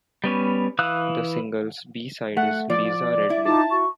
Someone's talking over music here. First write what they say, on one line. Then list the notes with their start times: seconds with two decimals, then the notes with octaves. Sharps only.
The single's B-side is "Liza Radley".
0.24 G3 B3 C#4
0.79 E3 F5 D#6 E6 F#6
2.37 A3 F#5
2.70 F3 D5
3.30 E4
3.45 D#4 F4 A5 D6
3.71 F#4 C#6